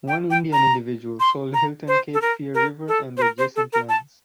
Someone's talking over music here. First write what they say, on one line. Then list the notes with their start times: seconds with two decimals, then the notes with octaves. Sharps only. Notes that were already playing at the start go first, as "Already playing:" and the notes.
One Indian individual sold Hilton Cape Fear river and adjacent lands.
0.08 G5
0.30 G5
0.53 A#5
1.20 C6
1.54 A#5
1.88 C5
2.14 A4
2.22 A#4
2.54 A#4
2.88 A4
3.17 C5
3.22 A#4
3.38 C5
3.56 A4
3.73 A#4
3.89 A5